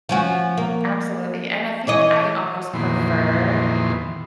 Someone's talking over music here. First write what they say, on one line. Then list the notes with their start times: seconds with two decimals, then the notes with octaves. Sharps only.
Absolutely, and I think I almost prefer
0.09 F3 C#4 F#4
0.57 A#3
1.87 E3 C#5 D#5
2.74 F2 A#2 D#3 E3 B3 C6